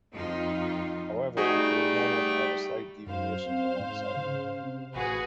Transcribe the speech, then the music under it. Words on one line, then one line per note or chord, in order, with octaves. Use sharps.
However, it is normal to have a slight deviation to one side.
F2 D#4 F4
G3 A3 D#4 F#4 G#4 G5
F#2 C5 F5
C4
G#2
C#3
C3
A1 F#4 G#4 B4